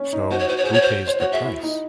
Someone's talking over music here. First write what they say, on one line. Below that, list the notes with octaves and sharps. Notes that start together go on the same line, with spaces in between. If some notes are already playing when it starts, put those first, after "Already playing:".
So who pays the price?
Already playing: C#4
D#4
F#4 C5
C#5
F#4 C5
C#5
G#4 C5
F#4 C#5
C5
C5 C#5
F#4 C#5
G#4 E5
E4
D#4